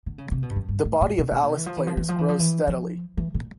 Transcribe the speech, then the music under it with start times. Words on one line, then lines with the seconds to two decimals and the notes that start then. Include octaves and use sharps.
The body of Alice players grows steadily.
0.06 D3
0.18 C#3
0.31 C3
0.43 B2
0.50 G2
0.56 F#2
0.68 G2
0.85 A2
1.01 A#2
1.18 B2
1.31 B2
1.43 A#2
1.55 E3
1.66 F3
1.77 E3
1.87 F3
1.97 E3
2.09 F3
2.18 E3
2.29 F3
2.39 E3
2.67 F3
3.17 E3
3.34 A#2